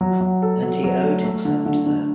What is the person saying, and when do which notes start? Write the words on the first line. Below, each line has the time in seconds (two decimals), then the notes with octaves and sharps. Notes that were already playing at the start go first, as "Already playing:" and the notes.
And he owed himself to her.
0.01 F#3
0.21 F#3
0.42 A4
0.63 F#3
0.84 F#3
1.04 A3
1.24 A3
1.45 D3
1.66 D3
1.86 D3